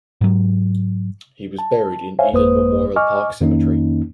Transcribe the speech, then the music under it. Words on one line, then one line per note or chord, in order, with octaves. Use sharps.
He was buried in Eden Memorial Park Cemetery.
G#2 F#3
A5
C5 C#5 E5 F5 G#5
G1 F2 A#3 B4 C5 D#6
D#5 G#5 C#6 D6 F6
F2 D#3 A#3 C#4 D#4